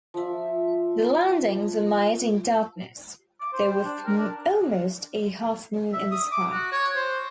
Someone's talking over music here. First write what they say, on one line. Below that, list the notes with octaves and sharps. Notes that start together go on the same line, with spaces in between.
The landings were made in darkness, though with almost a half-moon in the sky.
F3 E5
D6
C5
G5
D4
A#4
D4
E5
D#6
D6
F#4
C#5
C5